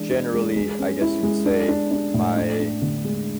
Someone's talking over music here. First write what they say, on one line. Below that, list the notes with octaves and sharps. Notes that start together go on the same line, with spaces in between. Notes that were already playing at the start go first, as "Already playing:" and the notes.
generally, I guess you would say, my
Already playing: E3 G#3 D4
D4
G#3
G#3
C#4
E4
G#3
D4
D4
D4
A2
D4
D4
D3
G#3